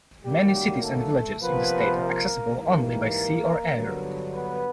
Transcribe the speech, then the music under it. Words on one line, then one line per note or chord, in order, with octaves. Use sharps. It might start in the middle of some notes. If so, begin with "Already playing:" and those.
Many cities and villages in the state are accessible only by sea or air.
F#2 D#3 F#3 G3 A#3 G4
A3 A4
C3 F3 A#3 B3 B4
A#3 A#4
G#2 E3 G3 A#3 A#4
G2 D3 F#3 B3
B3 B4